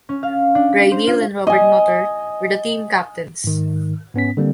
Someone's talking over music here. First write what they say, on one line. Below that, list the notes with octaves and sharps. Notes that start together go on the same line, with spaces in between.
Ray Neal and Robert Nutter were the team captains.
C#4
F5
D4
B6
C5
F4
D#5 G#5
G#2 D#3
G#2 B3 C#4 B6
D3 G3 A#3 C4